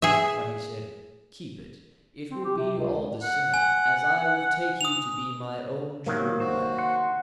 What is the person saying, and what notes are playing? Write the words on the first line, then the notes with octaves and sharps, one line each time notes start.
But he said: 'Keep it; it will be all the same, as I will take you to be my own true wife.'
G#4 E5
C4
G4
C3
C#2
F#5
G#5
D#6 F7
C3 D#3 F#3 A#3
F#4 C5
F#5 C6 F#6